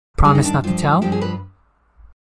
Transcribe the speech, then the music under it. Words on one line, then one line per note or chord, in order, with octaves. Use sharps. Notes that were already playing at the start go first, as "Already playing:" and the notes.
Promise not to tell?
G2 D#3 G#4
D#4
D4
G2 F3 F4
G2 F3 G4
G#4
B4